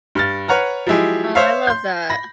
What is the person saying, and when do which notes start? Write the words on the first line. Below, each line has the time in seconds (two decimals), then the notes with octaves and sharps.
Oh, I love that.
0.15 G2 F6 A6
0.48 B4 C#5 F#5 A#5 F6
0.87 F3 F#3 G#3 E4 G4 G#4
1.35 C5 C#5 E5 F5
1.67 C6 G6
2.10 B5 A#6